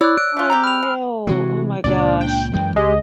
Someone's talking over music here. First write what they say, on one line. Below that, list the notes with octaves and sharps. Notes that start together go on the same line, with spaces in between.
I know. Oh my gosh.
E4 C#5 D5 E6 F#6
F#6 D7
A3 F4
G3 G#3 G4 A#5
B5 F6 F7
G#3
C3 E3 G#3 F#4
C#2 A#2 C#3 D4 D5
G5
F#2 E3 G#3
C#2 G#3 G4 D#5